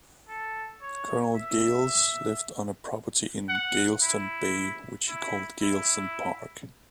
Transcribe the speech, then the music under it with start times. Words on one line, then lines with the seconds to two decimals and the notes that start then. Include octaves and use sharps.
Colonel Geils lived on property in Geilston Bay which he called "Geilston Park".
0.28 A4
0.82 C#5
1.35 E5
3.49 F#5
4.02 E4
5.09 E4
5.61 E4